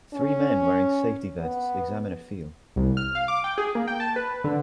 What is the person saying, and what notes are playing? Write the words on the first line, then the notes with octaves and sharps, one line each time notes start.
Three men wearing safety vests examine a field.
C#4
B3
C2
F6
F5
D6
G5
G#4
A#3
G5
A5
B4
D3